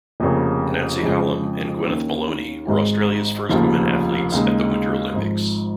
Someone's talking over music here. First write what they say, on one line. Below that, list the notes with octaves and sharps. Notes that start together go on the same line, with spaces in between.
Nancy Hallam and Gweneth Molony were Australia's first women athletes at the Winter Olympics.
F1 F2 C#3 A#3 C#4
F2 C#3 F3 G#3
D#2 D#3 C#4
G#1 G#2 G#3
F1 D#2 C#3 F3
D#2 C#3 G#3 D#4
G#1 G#2 F3